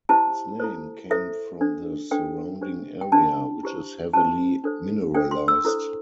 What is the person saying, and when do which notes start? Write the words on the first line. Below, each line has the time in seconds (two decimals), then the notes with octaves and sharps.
Its name came from the surrounding area, which is heavily mineralized.
0.09 E4 G4 C5 A5
0.60 E4 A4 C5
1.10 E4 A4 C5 E5
1.61 D4 A4 C5
2.11 D4 A4 C5 G5
2.62 D4 G4 C5
3.01 G5
3.12 D4 G4 C5 A5
3.63 E4 G4 C5
4.13 E4 G4 C5 A5
4.64 D4 A4 C5
5.14 D4 A4 C5 G5
5.31 C6
5.48 E6
5.65 E4 A4 C5